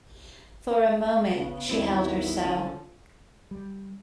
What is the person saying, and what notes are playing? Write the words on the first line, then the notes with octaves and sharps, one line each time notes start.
For a moment she held her so.
C#3 B3 B4
D#2 G3 C4 E4
D3 F3 C#4 A4
G3